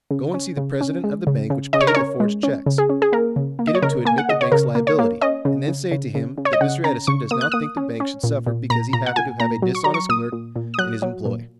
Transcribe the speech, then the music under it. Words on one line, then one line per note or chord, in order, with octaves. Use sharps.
Go and see the president of the bank which paid the forged checks. Get him to admit the bank's liability, and then say to him that Mr. Edison does not think the bank should suffer because he happened to have a dishonest clerk in his employ.
C#3
C#4
C#3
C#4
G#3
C#3
C#3
C#3 D#5
C#5
A#4
C#4 C#5
G#3
C#4
C#3
G#4
C#4
G#4
A#3 A#4
C#3
A#3
D#5
C#5
C#3 A#4
A#3 G#5
F#5
C#3 D#5
C#5
C#3 A#4
A#3
C#5
A#3
C#4 D#5
C#3
C#3
C#3
C#3
C#3
C#5
D#5
C#3 F#5
C#4 A#5
C#3 C#6
A#3 D#6
F#6
A#3 D#6
C#4
C#4
A#2
A#2
A#2 A#5
A#2 A#5
F#5
A#2 G#5
A#2 A#5
F#3
C#6
F#3 A#5
C#6
A#2 D#6
A#2
A#2
D#6
F#3 F#6
F#3
A#2